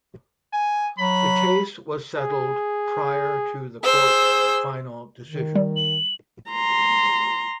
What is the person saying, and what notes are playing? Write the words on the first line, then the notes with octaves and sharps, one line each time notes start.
The case was settled prior to the court's final decision.
G#5
F#3 B5
G#4
G#4 C5 E6
D#3
G3
F#7
A#5 C6